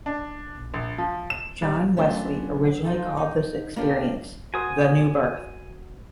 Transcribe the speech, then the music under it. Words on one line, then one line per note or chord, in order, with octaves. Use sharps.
John Wesley originally called this experience the New Birth.
D4
A#1
F3
E7
G3
F#3 A3 B3 C#4 D4 F4
F3 D#4 F4 A4
D#4
A#3 C#4 D4 F4 G4
F#4 A#4 C5 G#5 D#6